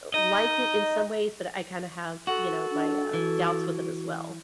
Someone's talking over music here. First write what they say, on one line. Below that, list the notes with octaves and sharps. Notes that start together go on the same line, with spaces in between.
like it in some ways, but I kinda have, you know, my, uh, doubts with it as well.
D#4 D#5
F#4 A4
D4
E3 F#4